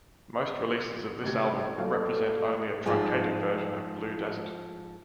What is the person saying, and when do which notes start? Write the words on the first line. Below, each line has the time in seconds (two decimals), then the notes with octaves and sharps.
Most releases of this album represent only a truncated version of "Blue Desert".
1.24 A1 C3 G#6
1.77 A#1 F#3 A4 F5
2.86 G#2 F3 G3 F4 G#4